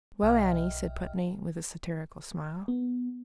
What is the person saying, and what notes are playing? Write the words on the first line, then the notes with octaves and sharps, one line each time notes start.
"Well, Annie," said Putney, with a satirical smile.
B1 D#5 E5 G5 F6
B3